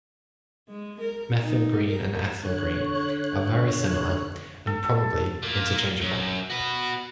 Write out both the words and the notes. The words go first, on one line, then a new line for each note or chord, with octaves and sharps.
Methyl green and ethyl green are very similar and probably interchangeable.
G#3
A#4
D#4
A#4
D3 C#5 F#6
A4
A#3 F4
F#2
F#4 B4